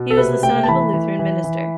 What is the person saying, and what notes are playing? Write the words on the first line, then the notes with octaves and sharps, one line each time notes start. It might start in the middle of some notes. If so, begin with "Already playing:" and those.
He was the son of a Lutheran minister.
Already playing: B2
A4
C3 B4
A3 G5
A5
E3 B5
E3
E3
E3